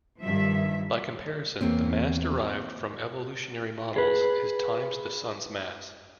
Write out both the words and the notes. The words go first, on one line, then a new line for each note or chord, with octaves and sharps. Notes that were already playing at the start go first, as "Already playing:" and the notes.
By comparison, the mass derived from evolutionary models is times the Sun's mass.
G2 D#3 F3 E5
E2 A#3 C4 C#5
G#4 B4